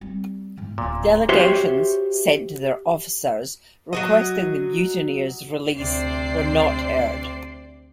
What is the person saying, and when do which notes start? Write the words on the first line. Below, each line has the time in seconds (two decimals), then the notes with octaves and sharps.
Delegations sent to their officers requesting the mutineers' release were not heard.
0.01 G3 C4
0.57 E2 G#2
0.78 D1 A1 A#2
1.29 F#4 G4 C5 C#5 E5 C6
3.93 F#3 F#4 D#5
5.76 D2 C3 C5 D5 C7